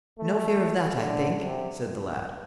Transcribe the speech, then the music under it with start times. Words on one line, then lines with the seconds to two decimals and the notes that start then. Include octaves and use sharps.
No fear of that, I think,' said the lad.
0.19 A3
1.00 D3
1.40 C3